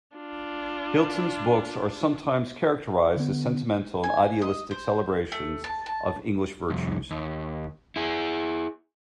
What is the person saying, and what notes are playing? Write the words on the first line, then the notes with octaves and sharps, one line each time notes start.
Hilton's books are sometimes characterised as sentimental and idealistic celebrations of English virtues.
D4 F4
D3 B3
G#5
D#5
C5
A3
A5
A5
C2 F2
D#2
E4 G#4